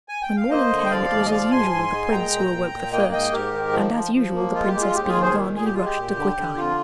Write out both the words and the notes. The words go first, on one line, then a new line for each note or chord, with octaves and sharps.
When morning came, it was as usual the prince who awoke the first, and as usual, the princess being gone, he rushed to Quickeye.
G#5
G5
F5
A#3 C5 D#5
D3
G5
F3 D5 F5
D#2
D#5
F3 D5 F5
G#2 G#5 C6
G#2
G#3
A#2 G5 A#5
A#2
A#2
A#2
A#3 D#5 G5
G#2 D#5 G5
G#2 G4 A#4
D#3
F3
F3
F3
A#3
G#3 F4
G4
G#3
F4
D#2 G4
F4 G#4
D#3
G#4 C5
A#2
A#2 G#4
G4
G#3 F4
G4
A#2
D3
D3
F2 F4